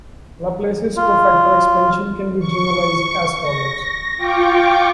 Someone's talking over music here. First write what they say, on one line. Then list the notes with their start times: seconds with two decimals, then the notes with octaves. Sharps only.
Laplaces cofactor expansion can be generalised as follows.
0.97 F4
2.39 C#6
3.43 A#6
4.17 F4 G5 C#6 D6